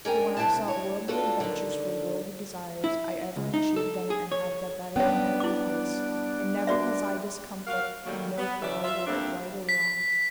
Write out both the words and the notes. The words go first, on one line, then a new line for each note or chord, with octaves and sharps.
For when I sought worldly adventures for worldly desires, I ever enchieved them and had the better in every place, and never was I discomfit in no quarrel, were it right or wrong.
C#4 D4 A#4 G5 G#5 A#5
C3 C4 D4 E4 E5 A5
C#5
D4 F4 F#4 A4
D3 D#3
E4
C#2
D#4
A4
G#4
C#5
G3 B3 C#4 D4 C#5
E4 D6
F#4 D5 E5
F#4 A#4 F5
D#3 F#3 G3 A3 A#3
B3
C#3 E3 D5 E5
F4 E5
G3 A3 A#3 C4 D4
B6